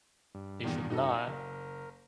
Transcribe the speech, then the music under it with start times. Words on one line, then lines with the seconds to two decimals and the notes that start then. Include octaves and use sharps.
they should not
0.35 G2
0.64 E2 A#2 D#3
0.90 D#4 F#4 A4
1.27 F#1 A#4